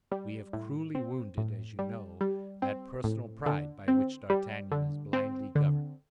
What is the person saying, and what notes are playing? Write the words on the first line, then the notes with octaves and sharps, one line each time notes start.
We have cruelly wounded, as you know, that personal pride by which D'Artagnan is blindly governed.
G3
A2
C4
A2
G3
G3
C4
A2
D3
C4
G3
D3
C4
D3